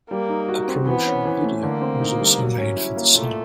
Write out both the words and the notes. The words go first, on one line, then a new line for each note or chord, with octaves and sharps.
A promotional video was also made for the song.
G3 A#3
D#4
F#4
C4
E3 B3
C#4
E3
A3
D3 A#3
C4
D#4
G3
F#3
C#4
E4
A#3
A#2 A3